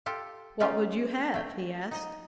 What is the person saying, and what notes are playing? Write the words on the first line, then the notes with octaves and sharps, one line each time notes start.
"What would you have?" he asked.
F4 G4 A4
G#3 A3 C#4 D#4 F4 G4
A3 G5
D#4 D#5